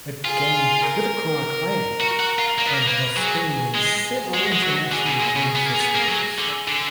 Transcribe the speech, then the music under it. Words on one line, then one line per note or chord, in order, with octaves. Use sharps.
It gained critical acclaim and was screened in several international film festivals.
F4 G#4
A#4
F#4
F#4
F4
A#3 A#4
B3
A#3
A#3 B4
F#3 G#4
G#3 G#4
G#3 F#4
G#3
F#3 F#4
D3 G#4
B2
A#2
B2
B3
A#3
B3
A#3
F#3
D3
D3